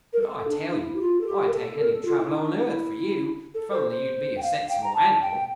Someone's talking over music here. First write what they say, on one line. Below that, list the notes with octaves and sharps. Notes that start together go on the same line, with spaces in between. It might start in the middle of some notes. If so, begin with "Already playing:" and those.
'But I tell you, I'd take any trouble on earth for you, if only you'd be a sensible animal.'
A#4
A4
D4
E4
G4
F4
A4
G4
A#4
A4
A#4
A4
F4
E4
D4
E4
A4
C5
C5
G5
F5
G5
A#5
A5
G5